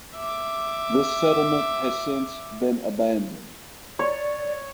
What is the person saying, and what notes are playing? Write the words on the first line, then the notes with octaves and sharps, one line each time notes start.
This settlement has since been abandoned.
E5 D6
C#5 D5